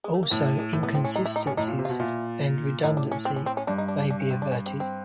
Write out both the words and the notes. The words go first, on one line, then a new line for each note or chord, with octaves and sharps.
Also, inconsistencies and redundancy may be averted.
G#3
A3
A#3
A2 B3
A#3
G#3
A2 A3
B3
C4
C#4
D#4
E4
D#4
C#4
A2 D#4
A#2
C3
F4
B2
A#2 E4
A2 D#4
D4
C#4
C4
C#4
C4
C#4
G2 D4
D#4
D4
D4
D4
C#4
C4
D4
C#4
C4
C4